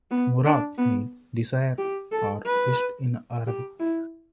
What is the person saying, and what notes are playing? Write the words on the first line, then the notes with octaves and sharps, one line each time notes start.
Murad means "desired" or "wished" in Arabic.
B3
D4
B3
G4
A4
B4
G4
E4